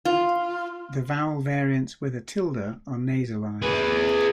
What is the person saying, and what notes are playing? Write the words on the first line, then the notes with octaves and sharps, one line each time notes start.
The vowel variants with a tilde are nasalized.
F4
G#4 B4